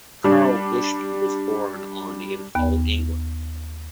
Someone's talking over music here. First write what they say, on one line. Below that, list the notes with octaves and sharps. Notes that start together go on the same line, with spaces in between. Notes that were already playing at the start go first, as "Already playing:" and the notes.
Karl Bushby was born on in Hull, England.
G3 D4
D#2 B3 B5